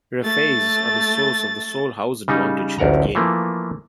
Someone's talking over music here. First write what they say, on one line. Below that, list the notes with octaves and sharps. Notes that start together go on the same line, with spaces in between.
Refaits are the source of the sole house advantage in the game.
A3 A6
C#3 G3 D#4
A1 D2 A#4 F#5 A#5
E3 F3 A3 A#3